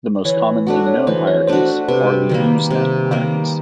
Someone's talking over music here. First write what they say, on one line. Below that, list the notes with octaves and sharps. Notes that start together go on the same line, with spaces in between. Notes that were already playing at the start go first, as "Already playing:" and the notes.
The most commonly known hierarchies are the "Usenet hierarchies".
E3 C#5
A3 D4 F#4
C#5
E3 C5
C#5
A3 D4 F#4 C5
C3 B4
D#3 G3 A#3
C3
D#3 G3 A#3